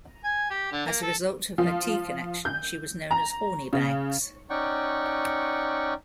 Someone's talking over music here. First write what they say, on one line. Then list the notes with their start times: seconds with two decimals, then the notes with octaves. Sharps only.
As a result of her tea connection, she was known as "Hornibags".
0.24 G#5
0.51 G4
0.72 D3
0.86 A#3
1.02 A4
1.58 F3
2.45 G6
3.11 A#5
3.73 C#3
4.50 C#4 D#4 D5 F#5 G5 C#6